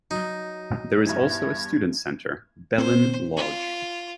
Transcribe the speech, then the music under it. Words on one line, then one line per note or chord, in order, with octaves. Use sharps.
There is also a student center, Belin Lodge.
F#3 D#4
E2 G2 E4 G#6
C4 C5
F4